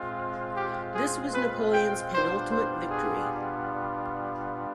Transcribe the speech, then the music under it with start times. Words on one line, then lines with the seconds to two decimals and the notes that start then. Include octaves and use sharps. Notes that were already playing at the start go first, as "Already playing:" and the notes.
This was Napoleon's penultimate victory.
Already playing: G#3 C4 F4
0.56 G4
0.95 G#4
1.34 B4
1.73 G5
2.13 G3 B3 D4 F4 C5
2.51 C5
2.90 G#4